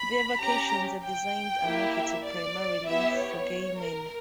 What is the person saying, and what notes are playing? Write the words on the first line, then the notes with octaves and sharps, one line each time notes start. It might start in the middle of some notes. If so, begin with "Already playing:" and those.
Their vacations are designed and marketed primarily for gay men.
Already playing: B5
C#4 G4 A#5
G5
A#3 E4 G4
E5
D5
B3 E4 G4 E5
C#5
A#4